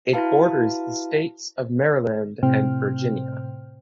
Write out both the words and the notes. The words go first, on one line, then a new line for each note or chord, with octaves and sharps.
It borders the states of Maryland and Virginia.
E4 F#4 B4 F5 A5
A2 C3 C4 C5 G5 F6